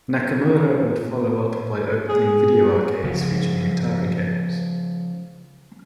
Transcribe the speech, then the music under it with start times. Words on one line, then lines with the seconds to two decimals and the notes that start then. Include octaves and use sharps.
Nakamura would follow up by opening video arcades featuring Atari games.
2.09 G#4
3.04 C#3 F3